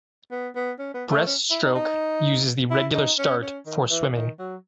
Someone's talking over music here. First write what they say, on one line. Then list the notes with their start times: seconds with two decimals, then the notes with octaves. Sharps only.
Breaststroke uses the regular start for swimming.
0.31 B3
0.55 B3
0.79 C#4
0.94 B3
1.10 A3
1.27 C#4
1.50 E4
1.63 D#4
1.75 D#4
2.71 E4
2.94 D#4
3.19 C#4
3.42 C#4
3.67 D#3
3.90 E3
4.14 D#3
4.39 F#3